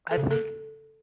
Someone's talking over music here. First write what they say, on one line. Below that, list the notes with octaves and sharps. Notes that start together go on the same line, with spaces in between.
I think
A4
C#3
A4